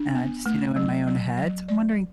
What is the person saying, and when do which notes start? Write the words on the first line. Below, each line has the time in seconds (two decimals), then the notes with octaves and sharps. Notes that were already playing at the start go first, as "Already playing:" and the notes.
and I just, you know, in my own head. So, I'm wondering,
Already playing: D4
0.15 B3
0.46 A3
0.76 F#3
1.07 F#3
1.37 F#3
1.68 D5